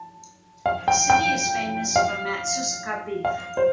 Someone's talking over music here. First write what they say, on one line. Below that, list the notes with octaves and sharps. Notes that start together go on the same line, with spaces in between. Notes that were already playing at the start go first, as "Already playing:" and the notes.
The city is famous for Matsusaka beef.
Already playing: A5
F5
G5
G5
F5
F5
C5